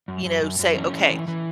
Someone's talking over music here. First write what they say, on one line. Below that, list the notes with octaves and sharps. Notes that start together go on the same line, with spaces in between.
you know, say, "Okay,
F#2
F#2
F#2
F#2
E3 C#4
E3
E3
E3